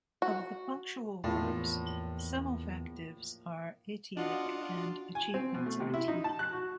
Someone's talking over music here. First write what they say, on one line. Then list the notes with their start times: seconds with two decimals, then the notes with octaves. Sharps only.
Of the punctual verbs, semelfactives are atelic, and achievements are telic.
0.22 F#4
1.24 A#1 E2 A2 F4 A5
4.17 D4 F4 F#4 D#5 F#5
5.15 G#5
5.34 C4
5.54 B2
5.66 A3
5.80 C3
5.94 E4
6.08 D#4
6.24 A5
6.39 F#6
6.52 F#4